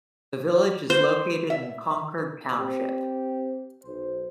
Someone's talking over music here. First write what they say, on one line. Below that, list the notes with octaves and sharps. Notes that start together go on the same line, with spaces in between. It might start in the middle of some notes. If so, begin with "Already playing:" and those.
The village is located in Concord Township.
C5
E5
C4 G4
B1 C5